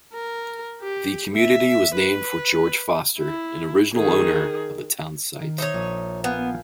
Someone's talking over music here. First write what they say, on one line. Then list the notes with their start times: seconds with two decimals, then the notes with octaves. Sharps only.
The community was named for George Foster, an original owner of the town site.
0.13 A#4
0.82 G4
1.34 E5
1.95 B4
3.19 E4
3.96 D#3 G#4
5.40 D#3
5.58 D#4 C5 C#5 E5 A#5
5.74 A#1
6.24 B3 F5 G#5 G6